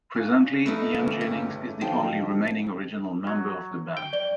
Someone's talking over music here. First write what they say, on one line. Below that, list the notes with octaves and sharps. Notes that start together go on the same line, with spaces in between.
Presently, Ian Jennings is the only remaining original member of the band.
D4 F5 G#5 C#6 F#6
A3 D#4 A#4 B4
G1 G3 A#3 C#4
C#3 G4
D3 D#3 F3 F#3 D#5 G5 A5
F#3
G5
D5 G7